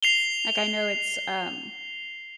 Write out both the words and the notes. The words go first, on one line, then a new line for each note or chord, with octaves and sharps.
Like I know it's, um
C7 F7 G7